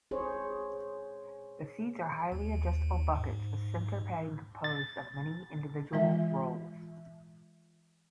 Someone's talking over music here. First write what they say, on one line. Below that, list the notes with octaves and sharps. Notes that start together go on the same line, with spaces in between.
The seats are highly adjustable buckets with centre padding composed of many individual 'rolls'.
G#4 C5 C#5
D#2
G#2
A6
E3 G#3 F4 E5